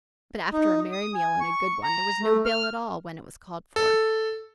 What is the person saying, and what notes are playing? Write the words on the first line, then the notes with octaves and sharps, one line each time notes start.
But, after a merry meal and a good one, there was no bill at all when it was called for.
D#4
D#6
G#5
C#6
A#5
A3
F6
A4